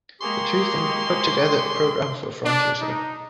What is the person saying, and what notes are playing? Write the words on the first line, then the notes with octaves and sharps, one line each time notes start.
The two of them put together a program for a frontier show.
G#3 A#3 G4 G#4 C6 C#6
D4
D#4